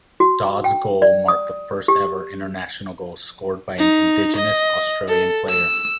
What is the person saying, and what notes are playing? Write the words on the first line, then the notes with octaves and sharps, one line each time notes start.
Dodd's goal marked the first ever international goal scored by an Indigenous Australian player.
F#4
G5
D5
D#6
G4
D#4
D#5
A4
E6